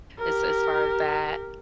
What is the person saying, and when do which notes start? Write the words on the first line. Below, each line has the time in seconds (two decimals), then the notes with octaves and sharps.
as as far as that.
0.19 G4 A#4